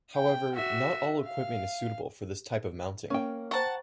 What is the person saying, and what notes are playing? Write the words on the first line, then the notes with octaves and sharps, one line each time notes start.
However, not all equipment is suitable for this type of mounting.
G5
F#4 E5
F5
A#3 C#4 G5
C5 F#5 G5 A5 A#5 C#6